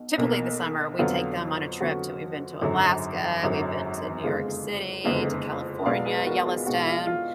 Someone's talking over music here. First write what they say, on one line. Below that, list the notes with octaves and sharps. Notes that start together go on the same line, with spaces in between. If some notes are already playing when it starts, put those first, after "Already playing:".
typically, the summer, we take them on a trip to we've been to Alaska, we've been to New York City, to California, Yellowstone,
Already playing: B1 B2
B1 B2 A#3
F2 D3 F#3 B3 F4
F2 D3 F#3 B3 F#4
G#1 F#2 D3 F#3
G#1 F#2 D3 F#3
F#1 F2 D3 G#3 B3 F4 G#4
F#1 F2 D3 G#3 B3
B1 B2 G#3 B3 D5 F5
G#4 B4
B4
F#4 A#4
F4 G#4
B1 B2 G#3 B3 F#4
F4
F4